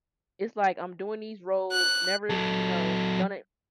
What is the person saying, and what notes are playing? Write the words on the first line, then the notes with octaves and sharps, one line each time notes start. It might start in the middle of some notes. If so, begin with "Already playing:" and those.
it's, like, I'm doing these roads, never, you know, done it
F#6
F#3 A4